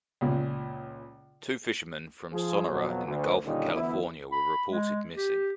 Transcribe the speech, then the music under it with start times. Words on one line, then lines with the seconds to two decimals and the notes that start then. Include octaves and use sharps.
Two fishermen from Sonora in the Gulf of California were reported missing.
0.21 C#2 A#2
2.32 F3 G#4
2.70 F2 B2 F#3
3.06 D2
3.44 A#2 D3 D#3 G3 C#4 D#4
3.74 D2 E3 B3 E4
4.32 B5
4.70 G#3
5.16 G4